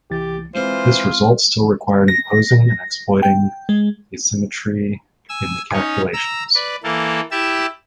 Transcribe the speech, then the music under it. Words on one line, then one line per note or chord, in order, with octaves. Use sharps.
This result still required imposing and exploiting axisymmetry in the calculations.
C2 E3 G4 A6
E3 G#3 C4 F4 C5
A#6
G5
G#3
G#5 E6
C#4 D#4 C#5
A#5 E6
B4 D5
E3 A#3 A4
E4 G4 E5 A5 E6